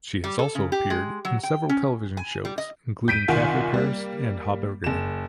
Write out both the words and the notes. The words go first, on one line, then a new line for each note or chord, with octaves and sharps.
She has also appeared in several television shows, including "Cafe Paris" and "HaBurganim".
G3
A4
C#3
G4
G#3
F#3
G5
C#4
G#5
G3
D#5
G6 B6 D7 D#7
C2 D#3 F4 F#5 G#5
G3 A#3
F#1 E7